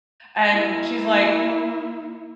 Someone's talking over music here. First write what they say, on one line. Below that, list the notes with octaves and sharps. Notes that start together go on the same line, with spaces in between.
and she's like,
A#3 E4